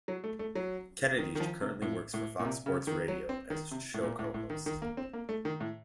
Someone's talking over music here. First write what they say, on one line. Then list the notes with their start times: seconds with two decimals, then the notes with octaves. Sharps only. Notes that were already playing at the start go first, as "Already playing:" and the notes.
Kennedy currently works for Fox Sports Radio as show co-host.
0.08 F#3
0.24 A3
0.39 A3
0.55 F#3
1.18 D#3
1.35 D#3
1.40 F3
1.61 C3
1.82 A2
2.14 A2
2.39 A#2
2.45 C3
2.66 C#3
2.87 D#3
3.08 F#3
3.29 C4
3.50 D#3
3.71 C3
3.94 A2
4.03 A#2
4.19 A2
4.34 A2
4.50 D#3
4.66 D#3
4.82 A#3
4.97 C4
5.13 A#3
5.29 A3
5.45 D#3
5.60 A2